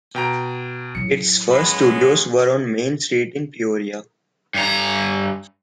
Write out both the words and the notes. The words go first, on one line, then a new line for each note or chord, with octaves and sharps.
Its first studios were on Main Street in Peoria.
B2 G5 A#5
A2 F#3 C#7
G#3 B3 C#4 B5
G2 A#5